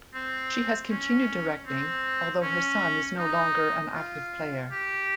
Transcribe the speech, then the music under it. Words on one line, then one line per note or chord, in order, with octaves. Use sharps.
She has continued directing, although her son is no longer an active player.
C4
C#4
C4
C#4
D#4
F4
G4